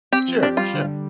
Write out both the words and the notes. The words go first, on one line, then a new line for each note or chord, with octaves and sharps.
Sure, sure.
C4 G4
F3
D4 G4
G3 F4
D3